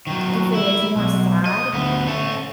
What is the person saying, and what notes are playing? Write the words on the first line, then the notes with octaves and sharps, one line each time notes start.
if it is more sad,
D#3 F#3
E4
B1
D#5
D2 B3
A3 C#4